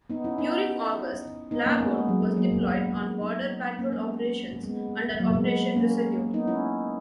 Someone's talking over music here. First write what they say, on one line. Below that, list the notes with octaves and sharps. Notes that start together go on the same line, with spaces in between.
During August, "Labuan" was deployed on border patrol operations under Operation Resolute.
B3 D#4
C#4 E4
B3 D#4
B3 D#4
B3
A#3 C#4
G#3 B3
G#3
F#3
G#3
F#3 A#3
G#3 B3
B3 D#4
A#3 C#4
G#3 B3
G#3 B3
F#3 A#3
G#3 B3
A#3 C#4
B3 D#4
C#4 E4